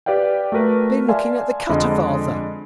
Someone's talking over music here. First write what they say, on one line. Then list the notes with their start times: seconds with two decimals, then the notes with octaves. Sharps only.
"Been looking at the cutter, father?"
0.06 G4 B4 D5 F5 G5
0.52 A3 F#4 A#4 B4
1.08 D5 E5 F5 G#5 A5 C6
1.69 F2 D3 G#3 D#5